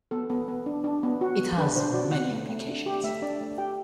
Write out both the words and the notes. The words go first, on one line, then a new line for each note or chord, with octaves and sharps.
It has many applications.
B3 A4
B3
B3
D4
D4
B3
F#4
B3
D4 B4
D4 C5
F#4 D5
B3 F#5
A3
A3
D4
G4
A3 E5
D4 D5
A3
G4 G5